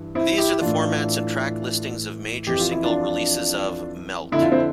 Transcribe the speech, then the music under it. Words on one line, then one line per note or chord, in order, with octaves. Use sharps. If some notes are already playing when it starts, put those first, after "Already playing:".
These are the formats and track listings of major single releases of "Melt".
Already playing: G2 E3
C4 E4
E4 G4
A2 E3 D4 F4
F2 E3 G4
F4
E4
D4 F4
F2 D3 E4
F4
C4 E4